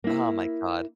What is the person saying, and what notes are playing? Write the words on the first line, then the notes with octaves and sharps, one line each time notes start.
oh, my god.
A#3 E4